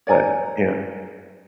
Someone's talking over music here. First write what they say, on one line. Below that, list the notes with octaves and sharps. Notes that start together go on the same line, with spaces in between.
But, yeah.
C#5 D5 G#5 A#5